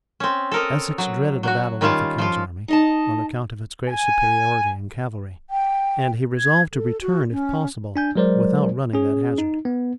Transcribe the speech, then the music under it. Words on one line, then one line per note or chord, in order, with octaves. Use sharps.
Essex dreaded a battle with the king's army, on account of its great superiority in cavalry; and he resolved to return, if possible, without running that hazard.
C4 C#4
A4 A#4 D#5
F#3
F#3 F#4
D#3 G3 C#4 F4 A5
F3 F4
D#4 D#5 A5
G#5
G5
G#6
A4
F#4
C#4
D4 G#5 G6
F#3 G#3 A#4 C5 D5
C#4 G#4
D#4
B3